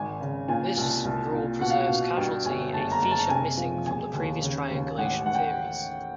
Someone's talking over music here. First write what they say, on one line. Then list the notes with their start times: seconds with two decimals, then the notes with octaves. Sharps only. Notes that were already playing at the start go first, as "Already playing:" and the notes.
This rule preserves causality, a feature missing from previous "triangulation" theories.
Already playing: G#1 G#5
0.21 C#3
0.48 A#2 G#5
0.77 C2
1.05 C2
1.33 A#2
1.61 B2 F#5
1.70 F5
1.79 F#5
1.89 B2
2.17 G2 G5
2.45 G1 G#5
2.73 F#1 A5
2.92 A#5
3.02 F#1
3.11 A5
3.29 C3 G#5
3.57 F3
3.86 E1 G#5
4.14 D#2
4.42 C#3
4.70 D#2
4.98 A1 F#5
5.26 A1 F#5
5.35 G5